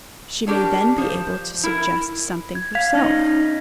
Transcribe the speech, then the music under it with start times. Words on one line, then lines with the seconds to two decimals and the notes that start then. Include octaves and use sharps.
She may then be able to suggest something herself.
0.47 C#4 D4 G4 G#4 A#4
0.98 F3 C5
1.64 E4 A#4
2.55 G#6
2.75 F5 G#6 B6
2.95 C#4 D#4